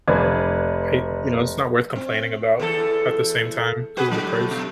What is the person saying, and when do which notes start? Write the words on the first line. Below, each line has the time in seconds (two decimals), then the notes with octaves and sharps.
I you know, it's not worth complaining about at the same time 'cause of the price.
0.08 F1 B4 D5 G#6
1.96 C4
2.59 E2 E3 A4
3.97 F#4 G#4 B4
4.09 A2 D3 F#3
4.51 B2